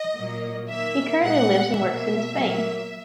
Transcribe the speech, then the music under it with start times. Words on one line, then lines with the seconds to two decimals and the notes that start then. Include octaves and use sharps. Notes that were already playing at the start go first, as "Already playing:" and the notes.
He currently lives and works in Spain.
Already playing: D#5
0.15 A#2 F#3 A#3
0.68 D#3 A#3 E5
1.21 A#2 G#3 B3 F#5
1.75 B2 A#3 E5
2.29 A#2 F#3 A#3